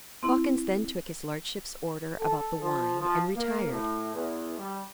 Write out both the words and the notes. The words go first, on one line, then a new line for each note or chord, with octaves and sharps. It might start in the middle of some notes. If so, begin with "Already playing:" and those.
Pawkins then took his lordship's orders about the wine and retired.
C4 E4
A4
F3
F3
A#3
A2
E2
G3